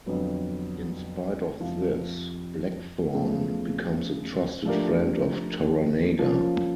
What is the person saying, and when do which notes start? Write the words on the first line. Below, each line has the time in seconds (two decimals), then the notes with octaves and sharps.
In spite of this, Blackthorne becomes a trusted friend of Toranaga.
0.06 F2 D3 F#3 B3
1.60 F2 C3 F3
3.12 E2 C#3 F3 A3
4.65 F3 A3 D4 G4 A#4
6.19 F3 A#3 C#4 F4